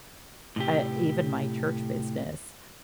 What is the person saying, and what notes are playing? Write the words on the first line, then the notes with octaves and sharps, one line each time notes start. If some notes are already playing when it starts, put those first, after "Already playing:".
uh, even my church business.
A2 C3 G4